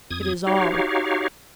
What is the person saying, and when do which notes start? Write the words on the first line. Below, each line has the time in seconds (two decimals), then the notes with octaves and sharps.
It is all.
0.11 F2 D#6 G#6
0.47 D#4 F#4 G4 C#5 F5